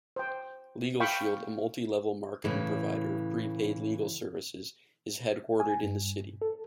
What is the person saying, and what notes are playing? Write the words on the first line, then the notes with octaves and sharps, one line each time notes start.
LegalShield, a multi-level marketing provider of pre-paid legal services, is headquartered in the city.
C5 G5
F5 G5 B5 C#6
A2 C#3 E3
G#5
G2
A4